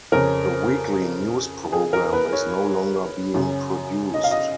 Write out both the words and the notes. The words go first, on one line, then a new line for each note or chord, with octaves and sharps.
The weekly news program is no longer being produced.
F2 C#3 A#4
G#4
A#4
B4
C#5
F#2 C#3
D#5
F5
D#5